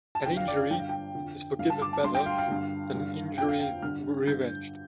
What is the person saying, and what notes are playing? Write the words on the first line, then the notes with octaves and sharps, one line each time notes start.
An injury is forgiven better than an injury revenged.
A5
F2 D3 G5
F5
D5
F5
G2 D3 G5
F5
G5
F2 D3
G2 D3 F5
A5
D6
A5
G2 D3 C6
G5
F5
F5
G2 D3
G2 D3
F2 D3 G5
F5
F5
G2 D3 F6
G2 D3 G6